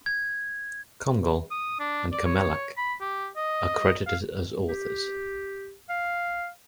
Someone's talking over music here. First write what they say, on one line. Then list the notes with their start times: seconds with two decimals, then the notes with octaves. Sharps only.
Comgall and Camelac are credited as authors.
0.06 G#6
1.51 D#6
1.80 D4
2.12 D5
2.26 C#5
2.78 B5
3.01 G4
3.37 D#5
4.07 F5
4.68 G4
5.89 F5